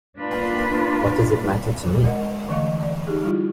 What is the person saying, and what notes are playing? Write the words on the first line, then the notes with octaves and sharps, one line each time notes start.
What does it matter to me?
A#3 D4 F4 B4
G#3 A#4 D#5 F#5
D3 E3 A3 D#5 F5
D5
D#4 G4 G#4
G3 E4 F4